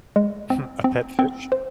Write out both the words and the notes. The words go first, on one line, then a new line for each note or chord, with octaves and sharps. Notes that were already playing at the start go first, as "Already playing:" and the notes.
Hmm, a pet fish?
G#3
C4
C4
C4
C5